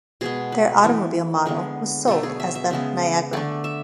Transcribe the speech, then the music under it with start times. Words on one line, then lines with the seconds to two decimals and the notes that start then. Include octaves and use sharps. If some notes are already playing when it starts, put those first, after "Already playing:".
Their automobile model was sold as the Niagara.
0.21 B2 G#3 B3 G#4
0.52 B4
0.84 E3 A3
1.46 D3 G#3 B3
2.08 B2 F#3 A3 A4
2.23 G#4
2.40 E5
2.55 E5
2.70 C#3 G#3 B3
3.33 D3 A3 D5
3.64 E5